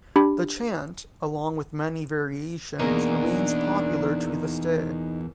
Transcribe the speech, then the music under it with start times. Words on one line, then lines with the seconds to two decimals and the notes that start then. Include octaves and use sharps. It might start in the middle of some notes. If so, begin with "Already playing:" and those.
The chant, along with many variations, remains popular to this day.
0.16 D4 G4 B5
2.79 E2 B2 A#3 D4 D#4 G#4 A#4